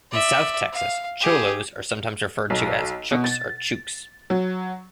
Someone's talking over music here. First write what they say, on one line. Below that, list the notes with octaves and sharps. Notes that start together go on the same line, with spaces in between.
In South Texas, cholos are sometimes referred to as chucs or chukes.
D5 E5
F5
G4 G#4
B1
B2
A6
F#3